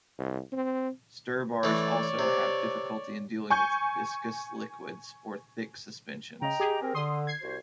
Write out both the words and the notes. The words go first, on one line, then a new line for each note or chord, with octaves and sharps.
Stir bars also have difficulty in dealing with viscous liquids or thick suspensions.
C2
C4
E3 A3 C#5 D5
C3
G#5 C#6 G6
C#3 D#5 G5 A#5
G4 G#4
C4 A#4
D3 C6 D#6
G#6 C7
C2 F#4 C5